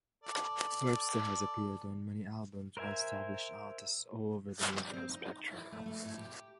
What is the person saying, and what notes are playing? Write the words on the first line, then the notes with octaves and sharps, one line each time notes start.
Webster has appeared on many albums by established artists all over the musical spectrum.
A4 D5
A#4 C5 E5 G#5
G3
C4
D#4
E4
A3
A3
A2
G4